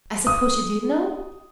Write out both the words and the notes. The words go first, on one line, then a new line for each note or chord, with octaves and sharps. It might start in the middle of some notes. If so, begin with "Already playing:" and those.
I suppose you did know?
D#6